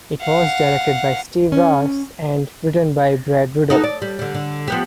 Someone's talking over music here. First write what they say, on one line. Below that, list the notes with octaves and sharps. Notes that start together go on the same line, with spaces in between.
It was directed by Steve Rash and written by Brad Riddell.
F5 F#5
C#4
D#4 F#4 A4
D5
G3
D3 G3
D3
F3 B3 G4